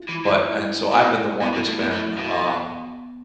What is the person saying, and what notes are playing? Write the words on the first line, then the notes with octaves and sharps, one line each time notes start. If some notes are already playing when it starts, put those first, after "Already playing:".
but and so, I've been the one that's been, um,
Already playing: E4 F4
E3
D3
E4
B2
B2 E4
B2
A2
B2
A2
B2
B3